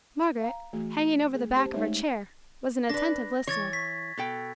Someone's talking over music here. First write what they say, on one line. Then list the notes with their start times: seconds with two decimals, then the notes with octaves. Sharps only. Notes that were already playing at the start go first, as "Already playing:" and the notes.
Margaret, hanging over the back of her chair, was an attentive listener.
0.40 F5 A#5
0.73 E3 A3 F#4 G#4
1.35 A3 G#4
1.56 C#4 G4 C5 A5
1.74 G#3 A3 D#4 A#4 C#5 E5
2.90 D4 B4 A#6
3.47 E3 C#5 C#6 G#6 A6
3.73 B6
4.18 B2 A4 G5